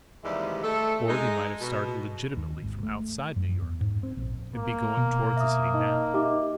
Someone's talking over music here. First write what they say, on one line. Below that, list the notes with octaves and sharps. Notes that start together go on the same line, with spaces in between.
Or they might have started legitimately from outside New York, and be going toward the city now.
D#2 C3 E3 G3 G#3
A3 A4
G#3 D#4
B2
D#2
G#1
A3
F#2
E2
G#2
C4
A#1
A#3
B2
E5 D#6
D#4 D#5
D#4 G4 D#5 E5 D6